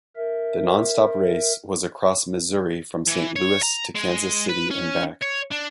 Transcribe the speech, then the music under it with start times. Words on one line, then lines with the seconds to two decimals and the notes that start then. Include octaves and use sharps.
The non-stop race was across Missouri from Saint Louis to Kansas City and back.
0.16 A#4 E5
3.07 E3
3.36 C#5
3.63 A#5
3.95 G#3
4.49 B4
4.71 C#4
5.21 C#5
5.51 D4